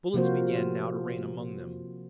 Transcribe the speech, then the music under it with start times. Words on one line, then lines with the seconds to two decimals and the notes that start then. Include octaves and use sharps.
Bullets began now to rain among them.
0.14 C3 F3 A#3 F4 F#4 C5